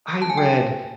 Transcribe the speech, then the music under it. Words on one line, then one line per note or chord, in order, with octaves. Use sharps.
I read
A5
G#5
G5